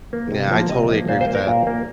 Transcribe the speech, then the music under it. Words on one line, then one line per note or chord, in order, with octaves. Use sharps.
Yeah, I totally agree with that.
A#3
C3
F3 A#3
C3 D#5
F3 A#3
A#2 C5
C5
A#3
A#4
A#2
A#3